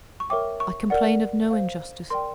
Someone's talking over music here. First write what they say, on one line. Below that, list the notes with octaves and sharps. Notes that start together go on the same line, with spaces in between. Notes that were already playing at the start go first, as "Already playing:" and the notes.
I complain of no injustice.
C#6
A#4 C#5 E5 G5 D6
C#6
A#4 D5 F#5
C5 F5
A#4 D5 G5 C6